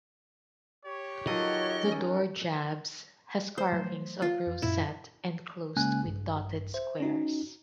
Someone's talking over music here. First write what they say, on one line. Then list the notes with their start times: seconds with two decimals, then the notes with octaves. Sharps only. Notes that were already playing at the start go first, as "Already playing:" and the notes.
The door jabs has carvings of rosette enclosed with dotted squares.
0.85 G4 C#5
1.27 D#3 F#3 F4 F#4 A4 D#5 F#5
1.84 C#4
3.58 C5
3.72 E3 F#3 A3
4.22 F4
4.46 F2
4.62 F#2 A#2 E4
5.77 C#3 G#3 A#3 C#4 G#5 F#6
6.04 A#1 G2
6.74 C5 E5
7.00 C#4 D#4 F#4